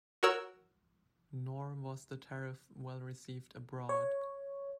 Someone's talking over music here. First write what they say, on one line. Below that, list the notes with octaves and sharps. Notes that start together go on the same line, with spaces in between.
Nor was the tariff well received abroad.
F#4 A#4 C#5 E6
C#5